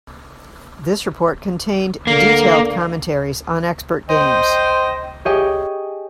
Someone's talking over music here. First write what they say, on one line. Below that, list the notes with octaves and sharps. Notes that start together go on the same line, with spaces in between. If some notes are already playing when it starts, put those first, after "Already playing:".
This report contained detailed commentaries on expert games.
D3 A#3
C5 D#5 G5
G4 G#4 C#5 D#5 G5